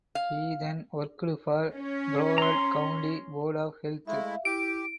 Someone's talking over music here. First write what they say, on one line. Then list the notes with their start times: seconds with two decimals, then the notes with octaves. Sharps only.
He then worked for Broward County Board of Health.
0.15 F5
1.73 C#4
2.38 A#5 C6
4.07 G#3 A3 E4 E5 F5
4.45 E4 G4 D7